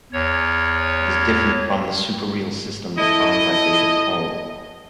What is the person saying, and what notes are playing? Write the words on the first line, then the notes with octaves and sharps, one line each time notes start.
It is different from the super-real system defined by David Tall.
E2 C#5
E4 A4 D#5